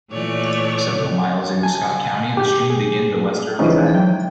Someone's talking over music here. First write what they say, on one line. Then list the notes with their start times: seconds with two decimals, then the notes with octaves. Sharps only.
Several miles into Scott County, the stream begins a westerly trend.
0.11 A#2 E3 A3 C#5 D5
1.63 G#5 A5
2.37 G4 G5
2.70 G#4
3.59 E3 F3 G#3 C#4 D#4
3.94 G5